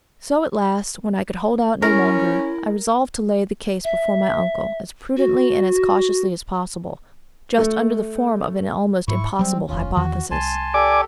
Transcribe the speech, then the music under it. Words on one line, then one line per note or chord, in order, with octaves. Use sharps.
So, at last, when I could hold out no longer, I resolved to lay the case before my uncle, as prudently and as cautiously as possible, just under the form of an almost impossible hypothesis.
C#4 E4 A#4
E5
F#4
A3
G#2 E4 C#6
F#3 G3 C4
F1 D#2 C#4 F4
E2 D#3 E3 F#4
C2 G#5 A5 C6
G4 A4 D5 G#5 D6